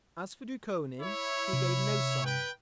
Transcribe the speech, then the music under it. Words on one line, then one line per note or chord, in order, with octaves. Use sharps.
As for Dukhonin, he gave no sign.
E4 C#5
C3
B4 G5